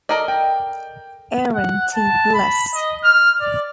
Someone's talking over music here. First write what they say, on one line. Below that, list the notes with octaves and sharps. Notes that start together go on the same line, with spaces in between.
Aaron T. Bliss.
A4 A#4 D5 D#5
G5
F#5
A5
B5
D#5
F6
D5